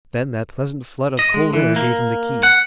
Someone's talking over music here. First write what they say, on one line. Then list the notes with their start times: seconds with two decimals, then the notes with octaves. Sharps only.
Then that pleasant flood of cold air gave him the key.
1.19 D#5
1.34 G#3
1.53 E3
1.76 A#3
2.43 F#5